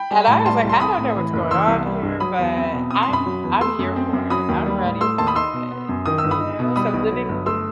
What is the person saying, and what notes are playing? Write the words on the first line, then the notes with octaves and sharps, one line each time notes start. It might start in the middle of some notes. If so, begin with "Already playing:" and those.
And I was like, "I don't know what's going on here, but I'm f I'm here for it, I'm ready for it," you know? So, living
Already playing: G5 B5
G3
A2
G3 A5 C6
C2
C6
C4 B5 D#6
A2
E3
F#1
E3 C6 E6
C2
G3
G2
F#3 B5 D#6
E2
C4
B2
C4 D#6
C6
F#2 B5 D#6
F#3
E2
A3 C6 E6
F#2
C4
F#2
F#3 B5 D#6
D#2
G3
A2
A3 C6 E6
D#2 A5 C6
B5 D#6
D#4 C6 E6
B2
B3
F#2
D#3 D#6
E6
G1
B5 D#6
D#4
B2
G3 B5 D#6
B1
F#3
G1
A3 C6 E6